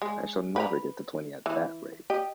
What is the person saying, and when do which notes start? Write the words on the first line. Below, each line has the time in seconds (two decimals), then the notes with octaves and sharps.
I shall never get to twenty at that rate!
0.02 G#3
0.56 B4 G5 A#5
1.46 E3
2.10 G4 D#5